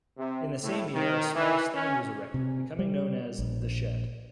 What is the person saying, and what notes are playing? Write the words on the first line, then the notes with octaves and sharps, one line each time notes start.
In the same year a small stand was erected, becoming known as 'the Shed'.
C3
A2
D#3
E3
C#4
C3
G3
A#1